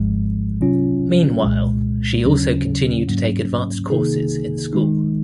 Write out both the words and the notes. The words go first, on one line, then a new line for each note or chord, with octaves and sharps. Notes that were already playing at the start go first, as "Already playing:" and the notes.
Meanwhile, she also continued to take advanced courses in school.
Already playing: G#1 G#2 F3 G#3
C3 F#3 C#4 F4
C2 A#2 G#3
D#2 C#3 F#3 C#4
G#2 F#3 A#3 C#4
C3 D#3 A#3 D#4 G#4
D#3 G#3 D#4